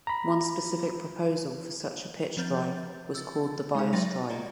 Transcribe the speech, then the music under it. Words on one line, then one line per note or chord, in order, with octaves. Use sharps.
One specific proposal for such a pitch drive was called the bias drive.
A#5 B5
F3 C4 G6 A6
E6 A6
G#3 D#4 G#4 C5
F#3 E5 G5 C6 A6 A#6
D5 D#5 A#5